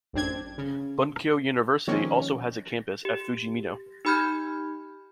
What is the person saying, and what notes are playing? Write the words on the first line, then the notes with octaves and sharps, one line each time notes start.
Bunkyo University also has a campus at Fujimino.
A1 F#2 C4 D4 G#6
C#3
D#3 F3 G#3 A#3 C4 C#4
G4
D#4 G4 B5 F6 G6 G#6